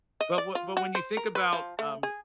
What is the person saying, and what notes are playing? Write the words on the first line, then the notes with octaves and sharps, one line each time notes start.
But wh but when you think about, um,
D#5
D5
F4
F#4
C5
A#4
B4
F3
A3
G#4